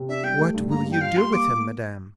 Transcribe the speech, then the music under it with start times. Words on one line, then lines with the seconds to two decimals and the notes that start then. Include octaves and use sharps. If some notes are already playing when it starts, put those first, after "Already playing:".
"What will you do with him, madame?"
Already playing: C3
0.09 D4 E5
0.23 G3 G5
0.39 A3
0.54 G2
0.70 A#3 A#5
0.86 G2
0.92 G5
1.01 F4 F5
1.17 G3 C6
1.33 A#3 D6